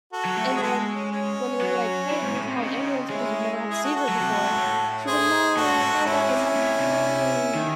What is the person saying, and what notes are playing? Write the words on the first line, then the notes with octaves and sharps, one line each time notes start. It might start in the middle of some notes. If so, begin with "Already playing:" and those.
and then when we were like, "Hey, we need to call an ambulance because you've never had a seizure before." She was like, "No, no, guys, I'm fine,
F#4 A4
F#3
A3
G#3
G#4
G#3 F#4 A4
C#4
C#4
F#3
E3
G#2
A2
C3
C#3 C4 D#4
G#3 C#4 E4
E4 G#4
F#4 A4
F#4 A4
F#3
C3
A2
G#2
A2
G#4 C5
A2 F#4 A4
G#2
A2
G#2
G#2 C#4 E4
C3
A2
C3
D#3